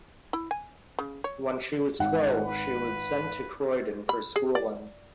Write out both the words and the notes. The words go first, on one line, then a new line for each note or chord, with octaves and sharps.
When she was twelve she was sent to Croydon for schooling.
E4
G#5
C#3
C#5
G#1 F#5
B4
B5
G#4
D5